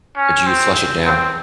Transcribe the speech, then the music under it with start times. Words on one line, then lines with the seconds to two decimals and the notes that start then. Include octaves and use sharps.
or do you flush it down?
0.16 C#4
0.47 C4
1.05 C4